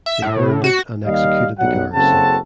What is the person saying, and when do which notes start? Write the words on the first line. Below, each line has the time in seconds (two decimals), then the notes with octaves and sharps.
They burned it and executed the garrison.
0.06 E5
0.22 A2
0.64 F#4
1.05 D#2 G3 D#5 F5
1.59 B1 F#3 G3 F#5
1.94 F#1 C#3 C4 F#4 A4 A5